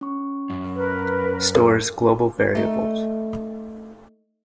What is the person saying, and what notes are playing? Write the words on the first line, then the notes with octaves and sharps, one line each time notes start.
Stores global variables.
C#4 C#6
F#2
A#4 B4
A#4 F6
A3 D#4